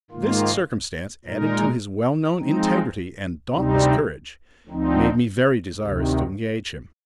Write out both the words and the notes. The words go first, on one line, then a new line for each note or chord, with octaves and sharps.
This circumstance, added to his well-known integrity and dauntless courage, made me very desirous to engage him.
G#2 D#3 A#3 F4
A#2 G#3 D#4 A#4
F3 G#3 C4 D#4
D2 C3 G3 C4 D#4
D2 D3 F3 C4 D#4
D2 C3 D#3